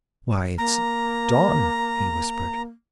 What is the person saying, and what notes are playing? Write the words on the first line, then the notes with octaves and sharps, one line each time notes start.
"Why, it's dawn," he whispered.
A#3 A#5